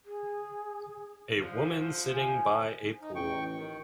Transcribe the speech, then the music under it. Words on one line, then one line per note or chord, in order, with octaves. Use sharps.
A woman sitting by a pool.
G#4
D3 F3 C5
G#5
D#4
A1 G5 C#6
D#3